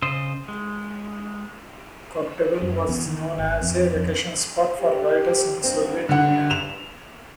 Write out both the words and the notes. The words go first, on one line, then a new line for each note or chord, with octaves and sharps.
Koktebel was known as a vacation spot for writers in the Soviet Union.
C#3 C5 D#5
G#3
F#2
E2
D#3
G#1
F2
F2
G4
G2 C4
D3 F#5
E7 F7